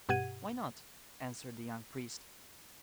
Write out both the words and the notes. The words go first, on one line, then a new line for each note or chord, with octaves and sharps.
"Why not?" answered the young priest.
G2 B2 G4 F#5 G#6 D#7